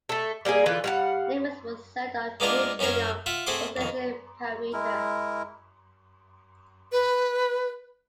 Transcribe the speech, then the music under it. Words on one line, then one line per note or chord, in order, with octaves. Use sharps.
Limits were set on neutrino oscillation parameters.
A3 A4
G3 A#3 D#4 G#4
D3 E3 F4 B4
G3 F5 F#5
G#3 A#3 B3 D4 F4 A#4
F#2 C#4 E4 A#4 F5
F4 E5 F#5
A3 C4 G#4 F#5 C6 D6
F2 D#3
G#3 E4 A#4
B4